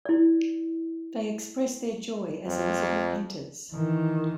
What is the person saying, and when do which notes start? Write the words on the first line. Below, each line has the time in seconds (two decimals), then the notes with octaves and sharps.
They express their joy as Elizabeth enters.
0.05 E4 D5
2.46 F2
3.72 D#3 E3